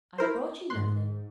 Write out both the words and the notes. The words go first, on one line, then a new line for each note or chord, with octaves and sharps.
'I've brought you nothing.
E4 A#4 C5
G#2 C6 F#6